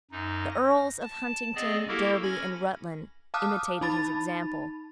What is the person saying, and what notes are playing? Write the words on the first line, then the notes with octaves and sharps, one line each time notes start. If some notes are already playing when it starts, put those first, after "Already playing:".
The earls of Huntingdon, Derby, and Rutland imitated his example.
F#2 D#4
A#6
A5
B3 C4 G#4 D5 D#5
A#3 E4 F#4 G4 A4 A#4
C#4 B5 G#6 A#6
F5 A5 D6 D#6 F6 F#6
D#4 A5 B5 A6